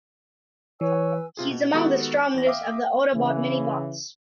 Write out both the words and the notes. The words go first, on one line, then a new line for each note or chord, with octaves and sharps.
He is among the strongest of the Autobot mini-bots.
E3 B4 C#5 G#5 E6
C3 F4 G#4
B2
D#3 G#3 B3 F#4 G4 A4
E2 E3 A#6
E5 F5 G5 D6 D#6
C#3 E3